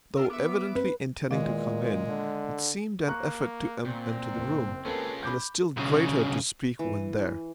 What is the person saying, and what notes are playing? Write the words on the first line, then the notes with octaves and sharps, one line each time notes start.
Though evidently intending to come in, it seemed an effort to enter the room, and a still greater to speak when there.
D4 F4 A#4 E6
B3 E5 D6
C4 B4
E2 A#2 D#3 G#3 F5
D3
A#3 A#5 C#6 F#6
A#2 C4
F#1
A#3 C#4 F4 G#4 A4 B4
B5 D6 G6
B1 C#3
E3